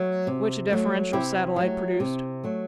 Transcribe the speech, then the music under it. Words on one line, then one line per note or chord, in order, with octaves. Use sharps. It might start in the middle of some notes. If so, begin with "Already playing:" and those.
Which a deferential satellite produced.
Already playing: F#3 A3 F#4
C3
F#3 A3
C3 E4 G4
F#3 A3
C3
F#3 A3